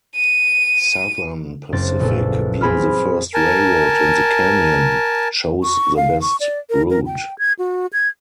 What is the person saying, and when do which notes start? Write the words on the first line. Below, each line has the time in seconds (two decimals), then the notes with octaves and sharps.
Southern Pacific, being the first railroad in the canyon, chose the best route.
0.16 D#7
1.72 F#1 C4 A6
2.00 A#1 B3 A4
2.61 C4 G#4 B5 F6
3.34 A#4 G#5 A5
5.63 C#6
5.97 F5
6.21 C#6
6.40 D5
6.70 A#4
6.90 A#4
7.06 G5
7.39 G#6
7.59 F#4
7.93 G#6